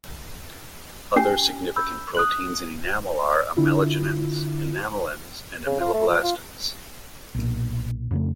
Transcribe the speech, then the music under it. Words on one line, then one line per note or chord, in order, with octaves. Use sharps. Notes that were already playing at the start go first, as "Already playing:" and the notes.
Other significant proteins in enamel are amelogenins, enamelins, and ameloblastins.
C#4 G4 G#5 C7
B5 E6 G6
D#6 F#6 F#7
D3 E4 F4
C#3
F4
A3
F3
F4
B1 A#2
F2 C#3 A3